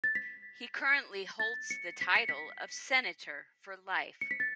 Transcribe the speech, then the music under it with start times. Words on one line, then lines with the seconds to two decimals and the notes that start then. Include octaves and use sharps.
He currently holds the title of Senator for life.
0.04 A6
0.15 B6
1.40 A6
1.70 C#7
2.01 B6
2.15 C#7
2.29 B6
4.21 C#7
4.31 B6
4.40 A6